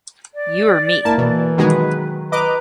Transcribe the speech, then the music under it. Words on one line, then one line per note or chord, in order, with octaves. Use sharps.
You or me?
D5
A#3 E4 A5
B2 E3
B2 D#3 F#3 G#3 G#4 B4
B4 D#5 A#5 D6